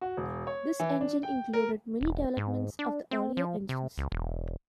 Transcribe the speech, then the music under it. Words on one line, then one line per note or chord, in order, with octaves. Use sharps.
This engine included many developments of the earlier engines.
F#4
E1
C#5
E3
D4
G5
A#4
E1
G#2
D4
C4
F3
C3
C#2
E1